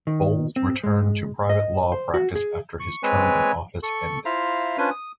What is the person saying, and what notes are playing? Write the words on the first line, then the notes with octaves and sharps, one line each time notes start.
Bowles returned to private law practice after his term in office ended.
D#3
C4
G#3
D#5
C5
F#4
G#4
C#6
G#3 C4 B4 C#5 G#5
A4 C#6
E4 F4 C5 E5 F5 A#5
C#4 D4 F4 B4 C5 G#5
D#6